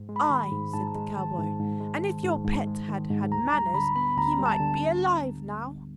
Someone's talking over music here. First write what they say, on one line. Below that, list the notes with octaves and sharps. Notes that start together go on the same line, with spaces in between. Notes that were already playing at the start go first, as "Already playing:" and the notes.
"I," said the cowboy; "and if your pet had had manners, he might be alive now."
Already playing: G#2
G#3
B5
D#3
B5
G#2
G#2 A5
A#5
A5
G#3
D#3 A5
G#2
G#2
G#3
D#3
G#2
G#2
G#3
D#3
G#2
D2 A#5
G3 A#5
D3 B5
B3 B5
D2 A#5
G3
A5
D3